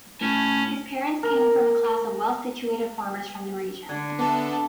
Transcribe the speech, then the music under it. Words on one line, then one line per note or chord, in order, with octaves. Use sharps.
His parents came from a class of well-situated farmers from the region.
A2 C#4
A#4 A#5
D3 G#6
B3 A4 E5 A5 D6
A5